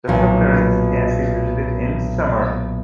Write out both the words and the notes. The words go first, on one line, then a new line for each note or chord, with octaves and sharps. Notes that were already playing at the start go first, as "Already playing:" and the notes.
The subterraneans can be visited in summer.
B1 A#2